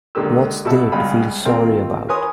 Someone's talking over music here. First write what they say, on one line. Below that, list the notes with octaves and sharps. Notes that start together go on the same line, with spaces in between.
What's there to feel sorry about?
C#2 D3 A#3 G4 E6
B2 F#4 E5 A5 E6
C#2 G3 G#4 D#5 F5 B5
D#2 C4 F4 A4 A#4
A#4 B4 C#5 G#5 C6 D#6